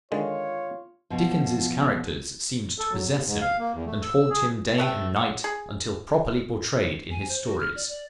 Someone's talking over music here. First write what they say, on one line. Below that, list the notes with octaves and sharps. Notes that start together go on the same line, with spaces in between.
Dickens' characters seemed to possess him, and haunt him day and night until properly portrayed in his stories.
D3 D#3 G#3 F4 C#5
B2 F3
A4
F#3
D#2
G#2
F5
A#3
E2
A3
E6
E6
G#4
A3 B4 G5
F#5
G#4
G#5
C5
F#4
F6
D5
D5